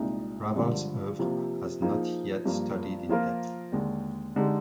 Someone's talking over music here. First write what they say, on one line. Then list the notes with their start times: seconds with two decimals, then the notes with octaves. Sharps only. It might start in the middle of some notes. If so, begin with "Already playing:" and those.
Raval's oeuvre has not yet studied in depth.
Already playing: C2 A#2 G#3 D#4
0.56 G2 D3 F3 G#3
1.19 C3 F3 A#3
1.82 F3 A#3 D#4 G#4
2.45 G2 F3 A#3
3.09 F3 A#3 F4 A#4
3.72 D#2 D3 G#3
4.36 D3 G#3 D#4 G4